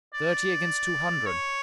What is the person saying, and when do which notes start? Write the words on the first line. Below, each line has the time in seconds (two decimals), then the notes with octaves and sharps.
Thirty against two hundred!
0.14 D5
1.27 C#5